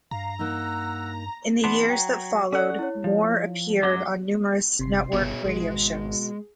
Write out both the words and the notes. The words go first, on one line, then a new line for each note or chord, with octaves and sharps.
In the years that followed, Moore appeared on numerous network radio shows.
G2 F5 A#5
A#3 D#4 F#5 E6 F#6
E2 B3 D4 B5 C6
F#3 G5 A#5
C#4 A4 D5 F#5
E4 C#5
F3
F#2 F#3 G#3 D6 G7
G1 C3 C6 C7
G1 B2 G#4 C#5 E5
G#1 G#3 G#4